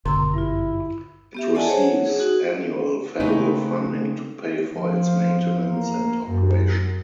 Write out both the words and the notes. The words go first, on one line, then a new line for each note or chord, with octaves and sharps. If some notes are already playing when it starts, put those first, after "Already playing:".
It receives annual federal funding to pay for its maintenance and operation.
G#1 F#2 B2 D3 C6 E6
G2 E4 F4
B3 G4 E5
A4 D5 D#5 F#5 G#5 A5
G#4 C5 C#5
F#5
G#4
D#4 F#4 G#4
C#3 G#3 A3 C4 D#4 B4
F3
A#3
F#2